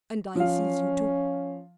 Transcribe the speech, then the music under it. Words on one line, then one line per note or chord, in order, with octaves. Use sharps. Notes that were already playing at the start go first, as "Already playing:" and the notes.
And I sees you too.
F3 C#4 F5